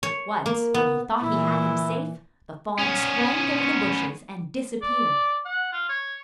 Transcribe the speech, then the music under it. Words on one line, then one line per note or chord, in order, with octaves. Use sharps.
Once, when he thought he had him safe, the fawn sprang over the bushes and disappeared.
C#5
A#3
B3
A#2 E3 E4
B3 C#4
D5
F#5
F4
C#5